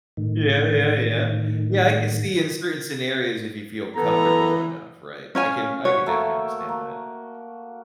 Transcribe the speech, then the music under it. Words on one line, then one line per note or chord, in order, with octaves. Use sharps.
Yeah, yeah, yeah. Yeah, I can see in certain scenarios if you feel comfortable enough, right? I can I can definitely understand that.
A2 D#3
E3 B3 A4 A#5
C#4 C#5 F5 G#5
F#4 C#5
A3 A#3
A#3